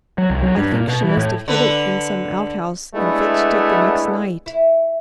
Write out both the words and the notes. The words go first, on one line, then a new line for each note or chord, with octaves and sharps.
I think she must have hid it in some outhouse, and fetched it the next night.
F#3
C2
F#3
G2
A#2
B2
E3
A2
D3 B4
G#3 A3 B3 D4 E4
E4